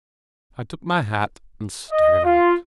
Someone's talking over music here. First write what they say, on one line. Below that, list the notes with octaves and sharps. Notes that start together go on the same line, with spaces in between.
I took my hat and staggered out.
D#5
F4